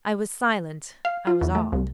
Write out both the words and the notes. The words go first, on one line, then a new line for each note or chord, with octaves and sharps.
I was silent; I was awed.
F5
F4
E2
A3
C2